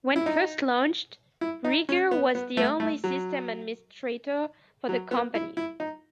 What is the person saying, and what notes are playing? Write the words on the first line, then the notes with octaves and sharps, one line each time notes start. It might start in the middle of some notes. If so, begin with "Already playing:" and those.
When first launched, Rieger was the only system administrator for the company.
E4
D#4
E4
D#4
C#4
B3
B3
A3
A3
F#3
F#3
B3
E4
E4
D#4